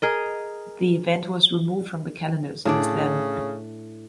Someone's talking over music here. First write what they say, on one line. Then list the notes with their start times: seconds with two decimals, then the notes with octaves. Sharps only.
The event was removed from the calendar since then.
0.02 G#4 A#4 D#5
2.65 A2 C#3 D4 D5